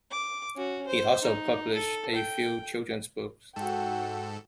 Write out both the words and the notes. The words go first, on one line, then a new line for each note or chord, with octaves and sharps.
He also published a few children's books.
D6
C#4 F#4
C5
D#4
A4
G5
G#2 F#4 A4 G5